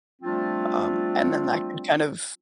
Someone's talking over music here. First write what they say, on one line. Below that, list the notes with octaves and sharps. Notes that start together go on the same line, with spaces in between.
um, and then that could kind of
F3 G3 A3 C4 D4 F4